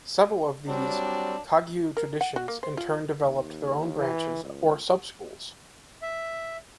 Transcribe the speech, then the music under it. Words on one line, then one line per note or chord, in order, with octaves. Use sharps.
Several of these Kagyu traditions in turn developed their own branches or sub-schools.
F#3 G3 C4 D4
A#4
F#5
F#4
A#3
C5
F4
D#2
E3
C#2
E5